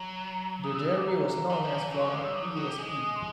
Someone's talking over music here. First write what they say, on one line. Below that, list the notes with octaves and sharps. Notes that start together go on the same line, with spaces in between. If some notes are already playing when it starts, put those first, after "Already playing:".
The derby was known as Flor-Esp.
Already playing: F#3 A#5
E3 D#6
E6
D#6
D6
A#5
E3
F3
E3
F#3 A#5
C6
G#3 C#6
D6
G3 E6
F#3 D#6
F3 D6
F#3 D#6
G3
G#3
C6